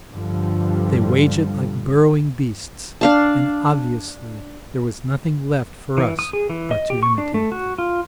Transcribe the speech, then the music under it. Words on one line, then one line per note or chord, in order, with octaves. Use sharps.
They wage it like burrowing beasts, and obviously there was nothing left for us but to imitate them.
G2 D3 F3 G3
D4 F5 A5
E3
D#6
G#4
E3
D#5
G4
C#6
D4
A3
F#4
F4